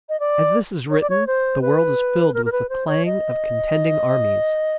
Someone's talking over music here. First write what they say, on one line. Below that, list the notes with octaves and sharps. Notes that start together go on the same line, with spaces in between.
As this is written, the world is filled with the clang of contending armies.
D#5
D5
C#5
D5
C#5
C5
B4
A#4
A#4
B4
C5
C#5
D#5